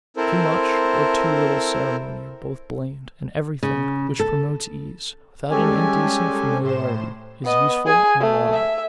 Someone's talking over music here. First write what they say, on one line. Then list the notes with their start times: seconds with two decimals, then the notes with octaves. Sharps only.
Too much or too little ceremony are both blamed, and everything, which promotes ease, without an indecent familiarity, is useful and laudable.
0.17 C4 E4 A4 A#4 C5
3.63 C#3
4.20 A4
5.51 G3 G#3 C#4 G4 A4 G#5
6.62 A2 C5 E7
7.44 B3 D#5
7.86 G#4 G#5
8.20 A3
8.53 E5